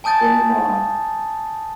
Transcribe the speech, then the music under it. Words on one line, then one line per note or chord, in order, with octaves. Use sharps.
Bring ’em on.
G#5 A5 D#6 G6 A6